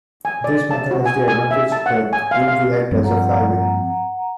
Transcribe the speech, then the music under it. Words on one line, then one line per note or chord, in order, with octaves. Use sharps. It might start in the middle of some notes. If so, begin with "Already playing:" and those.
This method has the advantage that the tube will act as a flywheel.
G#5
D5
A5
F#4
G#5
G#5
E5
A5
F#5
G#5
F5
F5
G2 F3 C4
F#5 A#5